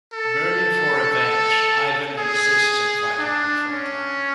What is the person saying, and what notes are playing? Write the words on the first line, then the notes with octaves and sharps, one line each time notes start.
Burning for revenge, Ivan insists on fighting on the front line.
A4
G#4
D4
C#4